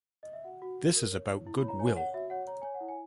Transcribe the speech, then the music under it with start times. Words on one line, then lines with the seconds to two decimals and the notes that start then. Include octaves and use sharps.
This is about goodwill.
0.23 D#5
0.33 E5
0.44 F#4 F#5
0.62 F#4
0.78 F#4
0.95 A#4
1.12 C#5
1.29 E4
1.46 E4
1.57 B5
1.62 C#5
1.68 A#5
1.79 C#5 G#5
1.96 C#5 F#5
2.14 F#4 E5
2.30 C#5 F#5
2.47 C#5 A#5
2.62 C#5 G#5
2.74 F#5
2.81 E4
2.88 G#5